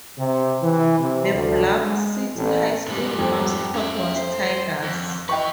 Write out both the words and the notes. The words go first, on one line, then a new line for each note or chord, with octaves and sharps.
The Bluff City High School mascot was Tigers.
C3
E3
C3
D2
G#3
A1
G#2 G3
F2
C#4 E5
C5
F2
E4 B4 D#5 G5 C#6